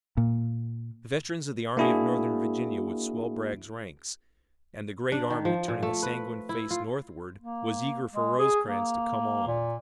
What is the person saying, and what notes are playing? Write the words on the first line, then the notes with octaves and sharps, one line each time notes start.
The veterans of the Army of Northern Virginia would swell Bragg's ranks, and the great army, turning a sanguine face northward, was eager for Rosecrans to come on.
A#2
A#3 D4 E4 F#4 G#4
D4
D#3
F3
A#2
A3
B4
E4
F4
A#3
G#3
G#4
A#3
A#2